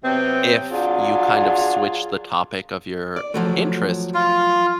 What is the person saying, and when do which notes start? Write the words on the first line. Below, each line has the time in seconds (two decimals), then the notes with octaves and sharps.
if you kind of switch the topic of your interest,
0.05 C3 F#3 B3 C4
0.72 F#3 D4 F4 G#4
3.16 D5
3.34 F3 F#3 A3
4.14 F4